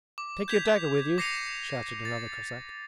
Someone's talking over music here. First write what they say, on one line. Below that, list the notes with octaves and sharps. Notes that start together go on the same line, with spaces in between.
Take your dagger with you!' shouted another Cossack.
D6
G6 G#6 B6 F7
D6 A#6 C7 C#7 D#7 F7
A6